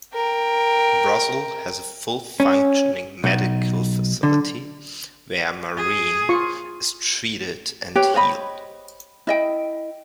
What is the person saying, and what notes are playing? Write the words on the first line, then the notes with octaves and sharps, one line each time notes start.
Her brothel has a fully functioning medical facility, where Maureen is treated and healed.
A#4 G5
C#4
B1
D3
G#4
F4 C#6
G4 B4 C#5 G5
C5 C#5 D#5 B5
E4 D#5 G5